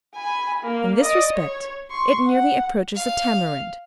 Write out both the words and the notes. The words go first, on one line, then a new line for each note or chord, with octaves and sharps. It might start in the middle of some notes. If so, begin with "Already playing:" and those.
In this respect, it nearly approaches the tamarind.
G#5 B5
A#3
D5 D#5
C#5
C6 C#6
F#5
F5